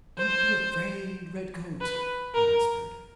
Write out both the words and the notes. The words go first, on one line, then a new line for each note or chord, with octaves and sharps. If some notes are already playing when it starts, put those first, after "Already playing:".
"Don't be afraid, Redcoat," he whispered.
C5
B4
A#4